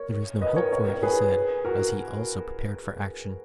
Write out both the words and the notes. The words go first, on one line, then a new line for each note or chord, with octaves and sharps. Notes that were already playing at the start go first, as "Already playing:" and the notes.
"There is no help for it," he said, as he also prepared for action.
Already playing: A#4 C#5
B4 D#5
A#4 C#5
A#4 C#5
A#4 C#5
G#4 B4
F#4 A#4